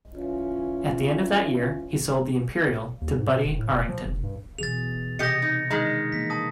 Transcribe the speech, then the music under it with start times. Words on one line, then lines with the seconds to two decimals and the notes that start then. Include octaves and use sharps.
At the end of that year he sold the Imperial to Buddy Arrington.
0.15 E3 C#4 F4
3.01 D#2
3.18 G#2
3.31 B2
3.45 E1
3.58 A2
3.72 E1
3.89 F3
4.05 F1
4.23 G2
4.59 B2 E3 G#4 A6 F7
5.19 C3 G4 D#5 A#6 C#7
5.42 D#4
5.71 D#3 G#3 D4 D#5 A#5
6.12 E3 A#3 B6
6.30 A5 D#6